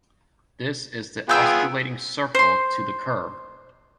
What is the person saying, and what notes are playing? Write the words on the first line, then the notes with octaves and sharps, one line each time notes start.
This is the osculating circle to the curve.
B3 F4 G#4 G5 E6 G6
C5 C6